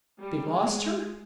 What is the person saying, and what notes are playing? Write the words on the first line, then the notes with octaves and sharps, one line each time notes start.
"They lost her?"
G3
G#3